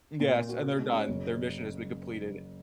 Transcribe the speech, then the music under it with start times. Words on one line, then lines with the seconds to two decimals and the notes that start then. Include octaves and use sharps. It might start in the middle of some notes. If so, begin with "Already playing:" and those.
yes, and they're done, their mission has been completed.
0.20 A#2
0.35 A#3
0.49 F#4
0.64 C#3
0.79 G#3
0.94 C#4
1.08 F#1